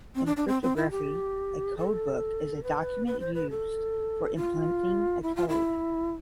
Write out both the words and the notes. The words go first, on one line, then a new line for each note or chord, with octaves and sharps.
In cryptography, a codebook is a document used for implementing a code.
C4
D4
D4
C4
C4
E4
G4
A4
B4
B4
C5
B4
A4
F4
E4
F4
E4